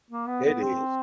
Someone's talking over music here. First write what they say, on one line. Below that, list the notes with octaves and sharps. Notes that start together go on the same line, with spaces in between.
It is.
A#3
B3
B3
C4